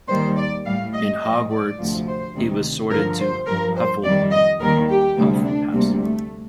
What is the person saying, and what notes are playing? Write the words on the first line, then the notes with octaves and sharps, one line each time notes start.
In Hogwarts, he was sorted to Hufflepuff house.
D#2 D#3 G3 C5
D5
A2 G3 F5
D#5
A2 F3 D#5
D5
D2 C3 F3
C5
D2 C3 D#3 G3
G2 D3 F3 A#4
C5
G2 F3 A#4
C5
F2 D#3 G3 D5
D#5
D#2 D#3 G3 A#4
G4
D2 C3 G3
D4
D2 C3 G3 A#3
A3